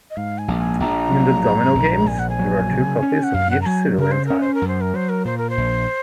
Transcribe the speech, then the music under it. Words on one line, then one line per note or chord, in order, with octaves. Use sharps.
In the domino games, there are two copies of each Civilian tile.
D#5
G#2 F5
G#5
A#1
G#5
A#1 A#5
F#3
G#2
A#1
A#1 G#5
F#5
G#5
F#3
C#3
C#4
F#5
F#2 F5
F#5
A#5
F#3 G#5
C#3 A#4
C5
C#4 A#4
C5
A#4
F#2
C5
A#4
F#3 C5
A#4
A#2 C5
A#4
C5
A#1